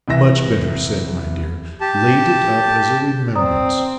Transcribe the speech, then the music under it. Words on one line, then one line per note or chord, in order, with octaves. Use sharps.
'Much better said, my dear; laid it up as a remembrance.
C2 C3 E3 E5 A#6
G4 A5
C4 D5 A#5 D#6